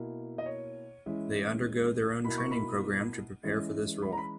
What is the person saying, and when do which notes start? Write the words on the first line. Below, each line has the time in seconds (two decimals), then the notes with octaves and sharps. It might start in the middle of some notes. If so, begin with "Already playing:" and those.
They undergo their own training programme to prepare for this role.
Already playing: B2 A#3 E4
0.38 D#5
0.46 C#5
1.06 E3 G#3 C#4 E4
2.24 B2 A#3 E4 B5
2.38 C#6
2.51 B5
3.43 E3 G#3 C#4
4.02 B5
4.12 A#5
4.18 B5